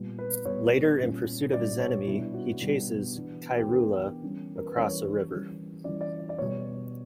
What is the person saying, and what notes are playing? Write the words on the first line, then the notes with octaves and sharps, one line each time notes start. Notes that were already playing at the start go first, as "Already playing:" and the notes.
Later in pursuit of his enemy, he chases Khairulla across a river.
Already playing: A#2 G3 B3
B4
A#2 G3 B3 C#5
A#2 G3 C#4
A#2 G3 C#4 D5
C#5
B2 G3 B3 D4 E4
F#4
B2 G3 B3 D4
E3 B3 D4
G4
E3 B3 D4 A#4
E3 G3 C#4
A#4
B4
E3 G3 C#4 C#5
E3 G3 C#4
E3 G3 C#4 D5
D5
D5
B2 G3 B3 C#5